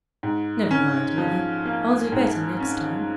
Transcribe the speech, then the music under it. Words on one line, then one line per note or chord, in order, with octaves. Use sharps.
'Never mind, Mother; I'll do better next time.'
G#2
C#4
F3
A#3
G#2
C#4